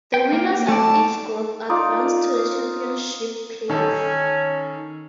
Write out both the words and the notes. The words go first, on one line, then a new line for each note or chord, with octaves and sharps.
The winners of each group advance to the Championship playoff.
G5
A#3
A3 D5 A5
D#4 F4 D5
D#3 C#4 A4